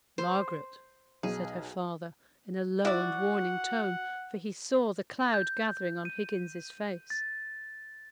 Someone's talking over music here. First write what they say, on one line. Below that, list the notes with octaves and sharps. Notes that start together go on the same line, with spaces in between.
'Margaret,' said her father, in a low and warning tone, for he saw the cloud gathering on Higgins's face.
C5
B1 G#4
E4 F#4 D5 F#5
G6
D#7
A6